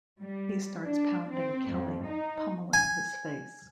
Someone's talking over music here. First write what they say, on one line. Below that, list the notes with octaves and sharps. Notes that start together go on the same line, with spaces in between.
He starts pounding Kelly, pummeling his face.
G3
D4
C4
F2
D#4
G#5